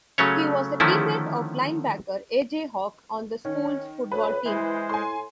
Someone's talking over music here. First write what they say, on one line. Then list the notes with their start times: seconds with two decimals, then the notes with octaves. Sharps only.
He was a teammate of linebacker A. J. Hawk on the school's football team.
0.18 C#3 F#3 A3 C#4 C#5
0.80 D3 D#3 F3 A3 C#4 E4
3.45 D#3 C#4
4.12 D2 B4 C#5
4.45 E3 G#3 E4 C5
4.89 A2 G#5 C6